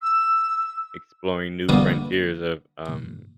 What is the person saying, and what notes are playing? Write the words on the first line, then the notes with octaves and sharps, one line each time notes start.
exploring new frontiers of, um
E6
D3 G3 A#3 B3